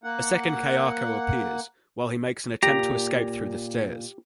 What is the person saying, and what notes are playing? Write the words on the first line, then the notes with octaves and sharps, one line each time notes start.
A second Kayako appears, while he makes an attempt to escape through the stairs.
A#3 F#5
A#2 G4 A#5